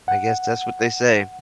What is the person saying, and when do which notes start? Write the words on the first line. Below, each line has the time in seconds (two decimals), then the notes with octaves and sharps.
I guess that's what they say.
0.08 F#5